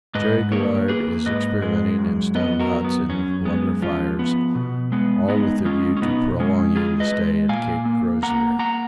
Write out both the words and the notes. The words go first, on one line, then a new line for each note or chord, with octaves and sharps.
Cherry-Garrard is experimenting in stone huts and with blubber fires--all with a view to prolonging the stay at Cape Crozier.
G#2 B4 D#5
A#3 A#4 C#5
A#3 G#4 B4
G#2 B4 D#5
G#3
F#2
B3 B4 D#5
F#4 A#4
F#2
B3
F#2 C#4
G#3 B3
F3 C#4 F4
B3
B2
G#3 B3
G#3 B3 D#4
G#3 C#4 F4
C#4
B2 B3 D#4
G#3 C#4
G#3 F4 G#4
B4 D#5
G#3
A#2 F5 G#5
A#3
A#3 F#5 A#5
A#3 F#5 A#5